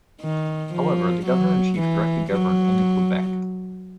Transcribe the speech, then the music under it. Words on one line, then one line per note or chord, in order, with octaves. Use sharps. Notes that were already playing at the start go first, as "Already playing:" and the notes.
However, the governor-in-chief directly governed only Quebec.
D#3
F3
F#3
E3
F#3